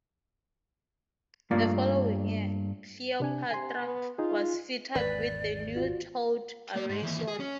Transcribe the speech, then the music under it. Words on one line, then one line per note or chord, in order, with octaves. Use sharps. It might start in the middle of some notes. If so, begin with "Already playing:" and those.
The following year, "Cleopatra" was fitted with the new towed array sonar.
G2 A3 A#3 F4 D5
C3 D4 G#5
C3 G#5 C6
B3
D#4 F4 G#4
G#1 E2 B4 D5
F4 F#4
A#3 D5
G#2
D#2 E3
G#4
C#4